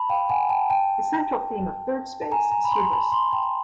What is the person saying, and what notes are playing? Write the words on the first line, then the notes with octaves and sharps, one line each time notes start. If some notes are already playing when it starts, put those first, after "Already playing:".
The central theme of "Thirdspace" is hubris.
Already playing: A5 B5
F5 G5
F#5 G#5
G5 A5
G5 A5
A5
G#5 A#5
G#5 A#5
B5
A#5 C6
A5 B5
A#5 C6
G5 A5